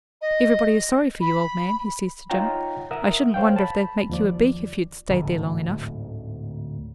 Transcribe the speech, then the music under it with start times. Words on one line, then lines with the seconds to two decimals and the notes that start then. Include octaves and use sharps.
Everybody is sorry for you, old man,' he says to Jim. 'I shouldn't wonder if they'd make you a beak if you'd stayed there long enough.
0.21 D#5
1.21 B5
2.30 D#4 F4 C#5 F#5 G5 A#5
2.91 A#4 E5 F#5 D#6
3.34 A4 C5 C#5 F5 G5
3.56 A5 B5
4.09 D#2 F3 D5
5.10 D1 D2 G#2 D3